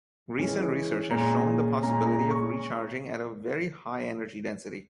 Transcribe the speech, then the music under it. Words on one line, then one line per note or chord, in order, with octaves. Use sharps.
Recent research has shown the possibility of recharging at a very high energy density.
E3 G#3 C#4
A#2 G#3 C#4 A#5
A#2 G#3 C#4 A#5
A#5
C#6